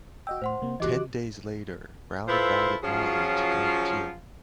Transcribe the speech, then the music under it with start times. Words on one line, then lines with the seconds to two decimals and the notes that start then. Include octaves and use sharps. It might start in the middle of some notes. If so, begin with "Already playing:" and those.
Ten days later, Brown invited Motley to come, too.
0.27 F#4 D#5 G5 E6
0.42 A2 C5 F#5 C6
0.62 C3 A#3
0.80 E3 F#4 G4 D#5 D6 F#6
2.28 E4 F4 A4 B4 C5
2.83 F3 F#3 C#4 F4 G#4